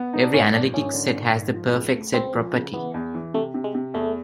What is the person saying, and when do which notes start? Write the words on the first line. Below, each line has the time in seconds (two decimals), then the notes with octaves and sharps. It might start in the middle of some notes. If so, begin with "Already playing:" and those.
Every analytic set has the perfect set property.
Already playing: B3
0.13 D#4
0.23 D4
0.34 G#1 C#4
0.54 F3 D4
0.74 G#1 C#4
0.94 D3
1.14 G#1
1.34 G#1
1.54 F3
1.74 C#2
1.94 A3
2.14 C#2 C4
2.34 F3
2.54 C#3
2.74 E3 B3
2.94 E2
3.14 E3
3.34 C3 A3
3.54 C3
3.64 G#3
3.75 C3
3.94 E2 A3